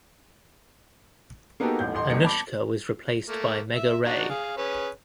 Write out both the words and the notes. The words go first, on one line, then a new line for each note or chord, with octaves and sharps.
Anushka was replaced by Megha Ray.
A#3 B3 D#4 F#4 G4 A4
D#1 A1 A2 G6
D#1 A1 D#5 C6
G1 D#2 A#3 A#4 D#5 C#7
A5 B5 D6
A3 A#3
E5
D4 D#4 F#4
G#4 F5
C#4 G#4 B4